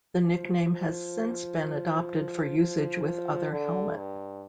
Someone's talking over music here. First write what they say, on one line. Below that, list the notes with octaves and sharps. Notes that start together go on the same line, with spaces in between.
The nickname has since been adopted for usage with other helmet.
F3
F3
F3
D3
G2